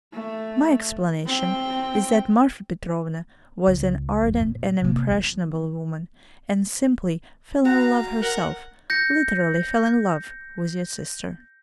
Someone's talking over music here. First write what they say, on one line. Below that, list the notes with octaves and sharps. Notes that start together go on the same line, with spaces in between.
My explanation is that Marfa Petrovna was an ardent and impressionable woman and simply fell in love herself--literally fell in love--with your sister.
A3
C4 G5
C#2
G#1 F2
A#2
C3 A#3
F3 B3
F#4 F5 A#5
A#4 F#5
G6 A#6 C#7